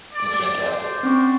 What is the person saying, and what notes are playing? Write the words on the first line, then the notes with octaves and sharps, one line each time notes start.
It was fantastic.
D5
C5 D5
C4 C#4 C#6